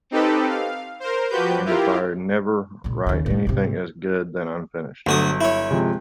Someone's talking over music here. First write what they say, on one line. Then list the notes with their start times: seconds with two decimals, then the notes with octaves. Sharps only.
And if I never write anything as good, then I'm finished.
0.11 C4 D#4 G4 A4 B4
0.48 F5
1.00 A#4 C5
1.29 F3 F#4 G4 B4 G6
1.65 E4 F4 G4 A#4
2.84 C#2 A#2
3.07 D#2 C#3
3.26 A2 C#3
3.47 G#2 C3
5.07 G1 D2 F#3 F#4 D#6
5.41 E4 C#5
5.71 C3 F3 G#3